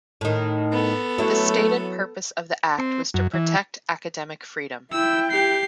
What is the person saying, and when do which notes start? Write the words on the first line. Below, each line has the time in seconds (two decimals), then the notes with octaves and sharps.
The stated purpose of the Act was to protect academic freedom.
0.21 A2 D#3
0.72 B3 A4
1.18 F#3 A3 E4
2.78 C4
3.14 F#2
3.34 E3
4.92 E4 G5 E6
5.31 G4 C7